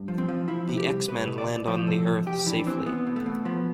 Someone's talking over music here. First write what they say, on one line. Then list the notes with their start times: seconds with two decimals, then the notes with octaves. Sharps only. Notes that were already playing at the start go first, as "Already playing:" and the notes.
The X-Men land on the Earth safely.
Already playing: G2
0.08 F3
0.18 C4
0.28 F3
0.48 F3 E4
0.68 C3
0.78 G4
0.88 C2
1.08 C2 B4
1.27 B2
1.38 D5
1.47 B2
1.68 F3 C5
1.87 C3 A4
2.07 E2
2.26 F2 G4
2.46 E3 D4
2.67 E3 C4
2.86 E2 B3
3.07 B2
3.16 A3
3.26 B2
3.45 F3 B3